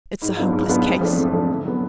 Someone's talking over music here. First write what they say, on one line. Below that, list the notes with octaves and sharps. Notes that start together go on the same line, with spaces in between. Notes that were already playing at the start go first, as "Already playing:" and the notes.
It's a hopeless case!
G#2
F#3 B3 D4 F4
G#2
F#3 B3 D4 F4
F2
F3 A3 D4
F2
F3 A3 D4
D3
F#3 B3